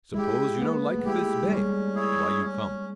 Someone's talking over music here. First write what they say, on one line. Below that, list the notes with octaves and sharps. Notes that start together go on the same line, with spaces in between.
Suppose you no like this bay, why you come?
G#3 E4 G4
A#3 B3
A3
G#3 E4 G4
G3
G#3 C#4
E4 G#4 C#5
C#4